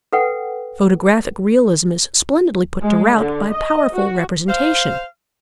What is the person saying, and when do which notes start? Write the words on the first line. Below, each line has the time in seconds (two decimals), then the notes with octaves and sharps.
Photographic realism is splendidly put to rout by powerful representation.
0.13 A4 B4 F#5 G5
2.82 G#3
3.15 D3
3.51 D#5
3.93 F#4
4.48 C5 F5